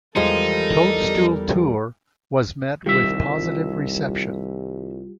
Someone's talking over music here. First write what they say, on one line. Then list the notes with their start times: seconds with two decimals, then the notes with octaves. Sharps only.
"Toadstool Tour" was met with positive reception.
0.16 E2 F3 G3 G#3 D#4 A4 A#4
2.86 C2 D#3 G3 F4 G4 E5